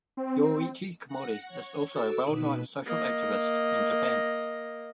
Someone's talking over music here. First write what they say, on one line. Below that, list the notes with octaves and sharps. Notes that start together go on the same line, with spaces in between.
Yoichi Komori is also a well-known social activist in Japan.
C4
F#5 A#6
C#5 C#6
F#4 A4 D6 E6
B2 D#4 B4
A#3 D#5